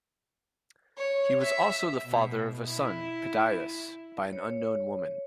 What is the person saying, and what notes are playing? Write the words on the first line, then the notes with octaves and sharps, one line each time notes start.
He was also the father of a son, Pedaeus, by an unknown woman.
C#5
E5
B2
E4
C#5